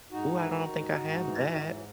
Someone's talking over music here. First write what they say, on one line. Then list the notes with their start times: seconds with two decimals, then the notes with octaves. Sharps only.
Ooh, I don't think I had that.
0.11 G#2 D#4 F#4
0.40 D#3
0.69 G#2
0.97 G#2
1.24 E3
1.53 G#2
1.73 F#3